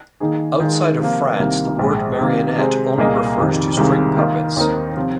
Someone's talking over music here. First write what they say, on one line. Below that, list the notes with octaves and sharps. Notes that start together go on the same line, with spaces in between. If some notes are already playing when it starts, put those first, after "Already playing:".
Outside of France, the word "marionette" only refers to string puppets.
D#3 A#3 D#4 G#4
D#3 G#3 F4
C3 F3 A#3
C2 C3 D#3 A#3
A#1 G#2 G#3
C3 D#3 A#3
C3 G#3 C4
C2 A#2 A#3 G#4 D#5
F2 C3 D#3
C2 C3 D#3 G#3 F4
D#3 A#3 F4
D#2 D#3 C4 D#4 A#4
C3 F3 C4